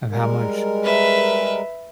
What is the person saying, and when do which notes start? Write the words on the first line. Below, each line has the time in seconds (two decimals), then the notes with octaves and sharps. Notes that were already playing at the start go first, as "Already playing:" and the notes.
of how much
0.11 G3 G#3 A#4
0.84 B4 E5